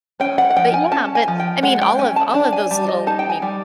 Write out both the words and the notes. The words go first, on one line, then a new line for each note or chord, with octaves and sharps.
Um, but yeah but, I mean, all of all of those little I mean,
C#4 G5
F#5
F#5
F3 G5
G#5
C#4 A5
G#5
F3
G5
G#3 F#5
G5
C#4 G#5
A5
D4 A5
G#5
G3 A5
D#5
D#4 A5
G5
G#5
G3